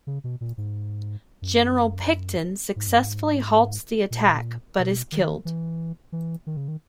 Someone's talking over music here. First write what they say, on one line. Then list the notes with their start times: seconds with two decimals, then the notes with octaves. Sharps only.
General Picton successfully halts the attack but is killed.
0.07 C#3
0.24 B2
0.41 A#2
0.58 G#2
1.42 F#2
2.76 G#2
2.88 F#2
2.99 G#2
4.11 A#2
4.79 B2
5.12 D#3
5.45 E3
6.12 E3
6.47 D#3
6.57 C#3
6.68 D#3